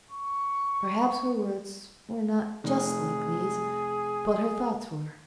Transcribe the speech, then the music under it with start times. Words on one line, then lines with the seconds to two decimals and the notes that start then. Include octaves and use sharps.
Perhaps her words were not just like these, but her thoughts were.
0.11 C#6
2.64 F1 G#4